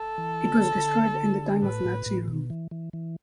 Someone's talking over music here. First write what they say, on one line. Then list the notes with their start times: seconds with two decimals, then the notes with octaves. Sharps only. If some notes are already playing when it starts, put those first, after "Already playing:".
It was destroyed in the time of Nazi rule.
Already playing: A4
0.18 E3
0.48 D3
0.76 D3
1.63 A2 B4
1.85 A2
2.06 A2
2.28 B2
2.50 E3
2.71 E3
2.93 E3